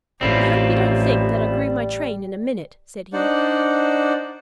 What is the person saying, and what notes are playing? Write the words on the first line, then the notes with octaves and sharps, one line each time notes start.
"I hope you don't think that I grew my train in a minute," said he.
A1 G3 C4 E4 F4
D4 D#4 C5 D5 F#5